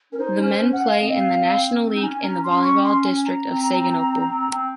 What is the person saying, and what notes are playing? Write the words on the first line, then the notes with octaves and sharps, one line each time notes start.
The men play in the national league in the volleyball district of Siegen-Olpe.
C#4 A#4
D#4 C5
C#4
C5
C#4
F#5
F5
C4 D#5
F5
C4
D#4
C#4 G#5
C#4 A#5
C#4 C6
C#6
C6
G#5
A#5
C4
C4
C4